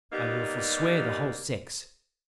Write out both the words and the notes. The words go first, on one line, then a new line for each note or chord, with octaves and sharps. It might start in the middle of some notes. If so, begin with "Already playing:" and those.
I will forswear the whole sex.
G3 A#3 B3 D#4 G4